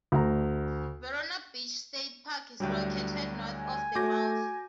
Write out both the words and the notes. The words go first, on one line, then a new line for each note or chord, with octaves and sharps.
Verona Beach State Park is located north of the mouth.
D2 A#5
D2 F#3 G3 D4 E4 G4
G#5
A3 F#4 C#5 D6 G6 A#6